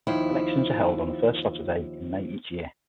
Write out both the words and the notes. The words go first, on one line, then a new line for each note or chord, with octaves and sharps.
Elections are held on the first Saturday in May each year.
D#2 F3 E4